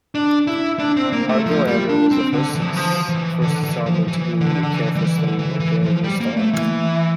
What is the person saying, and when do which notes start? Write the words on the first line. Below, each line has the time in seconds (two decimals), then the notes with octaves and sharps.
Argelander was the first astronomer to begin a careful study of variable stars.
0.15 D4
0.47 E4
0.79 D4
0.96 C4
1.12 A#3
1.29 A3
1.46 F3
1.67 G3
1.89 D4
2.11 C4
2.33 D3
2.55 E3
2.62 F3
2.68 E3
2.76 F3
3.09 E3
3.42 D3
3.63 E3
3.86 F3
4.08 E3
4.41 D3
4.63 D3
4.73 E3
4.95 G3
5.06 E3
5.17 D3
5.39 E3
5.60 E3
5.83 F3
6.04 G3
6.21 A#3
6.37 A3
6.53 E3